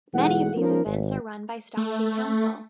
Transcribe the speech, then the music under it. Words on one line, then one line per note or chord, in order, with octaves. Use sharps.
Many of these events are run by Stockton Council.
B1 E3 G#3 F#5
F3 B3 C#4 D#4 A#4
G#1
A3